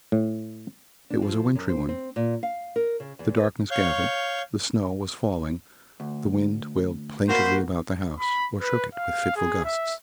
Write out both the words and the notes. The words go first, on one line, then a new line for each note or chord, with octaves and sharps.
It was a wintry one. The darkness gathered, the snow was falling, the wind wailed plaintively about the house or shook it with fitful gusts.
A2
D4
F3
F#2
C5
C4
A#2
F5
A#4
C#3
E2
B4
C#5 F5 C#6 G6
D2
A#3 F#4 B4 C5
B5
B4
F5
G#4
E5